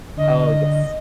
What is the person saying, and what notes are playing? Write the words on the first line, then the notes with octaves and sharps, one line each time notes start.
Oh, yes.
D3 D#5